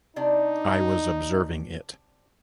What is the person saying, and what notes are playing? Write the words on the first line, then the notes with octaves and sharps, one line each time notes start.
I was observing it.
C3 D4 D#4 D5